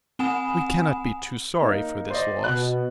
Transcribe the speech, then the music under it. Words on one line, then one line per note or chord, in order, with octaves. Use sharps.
We cannot be too sorry for this loss.
C4 F#5 G#5 B5 D#6 E7
A#3 D#4
C5 D5 D#5
B2 F#6